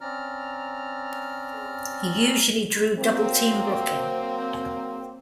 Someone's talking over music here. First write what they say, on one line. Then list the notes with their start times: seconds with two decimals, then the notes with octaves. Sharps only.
He usually drew double-team blocking.
0.01 C4 C#4 D5 A#5 F6
2.97 F#3 A#3 C4